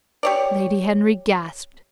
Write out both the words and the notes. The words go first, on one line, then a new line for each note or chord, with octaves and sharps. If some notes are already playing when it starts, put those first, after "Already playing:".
Lady Henry gasped.
G4 C#5 D5